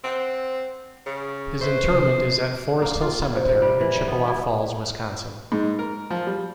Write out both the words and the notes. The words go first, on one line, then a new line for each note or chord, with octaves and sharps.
His interment is at Forest Hill Cemetery in Chippewa Falls, Wisconsin.
C4 F#5 G5 C6
C#3 C#7
B4 C5 E5 C#6
C3
A#3
F4
E4
C3
C3
G3
E3
G3
B3
E4
G#2
A#4
F3
G3